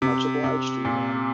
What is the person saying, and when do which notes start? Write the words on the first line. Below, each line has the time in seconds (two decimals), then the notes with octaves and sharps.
Much obliged to you, ma'am!
0.02 C3
0.44 C3
0.85 A#2